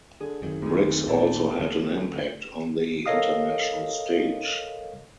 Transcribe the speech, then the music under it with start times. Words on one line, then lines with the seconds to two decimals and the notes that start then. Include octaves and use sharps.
Briggs also had an impact on the international stage.
0.20 D3 G#4
0.42 G#1 F#2 D#3
0.62 G#1 D2 G#4
1.08 A#2 A4
1.60 D3 G#3 C#4
3.06 A4 A#4 C#5 D#5 F5 D#6